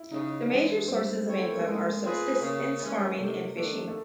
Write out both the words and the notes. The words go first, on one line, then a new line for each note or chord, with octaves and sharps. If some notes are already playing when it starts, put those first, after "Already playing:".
The major sources of income are subsistence farming and fishing.
Already playing: E4
C#3 D#4
E3 G#3 D4
G3 C4
C4 E4 A4 C#5
A3
A#3
G#3 A3
C4 F4 G#4 B4
C#3 A#3
E3 G#3 C#4
C3 A3
D#3 F#3 A3 B3 D4
A3